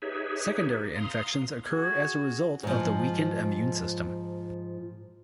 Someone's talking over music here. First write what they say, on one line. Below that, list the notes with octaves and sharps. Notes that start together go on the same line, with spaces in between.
Secondary infections occur as a result of the weakened immune system.
D#4 G4 G#4 B4 C#5 E5
F5 A#5 C6 D#6
F#4 G#4 G#6
G#2 F3